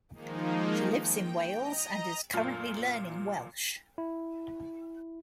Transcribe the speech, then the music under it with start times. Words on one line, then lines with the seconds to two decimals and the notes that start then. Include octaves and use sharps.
She lives in Wales and is currently learning Welsh.
0.14 D#3 F3 G#3 A#3 D#4
1.07 G5
1.55 D#5 A#5
2.33 F#2 A#2 F4
3.98 E4